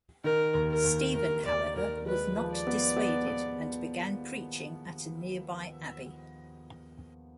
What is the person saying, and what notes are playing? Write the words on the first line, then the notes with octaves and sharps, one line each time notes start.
Stephan, however, was not dissuaded, and began preaching at a nearby abbey.
D#3 A#4
D#2
A#4
D#2
D#2 A#4
D#2 D5
D#2 A#4
G#3 B4
F3
D5
B3
B3
B3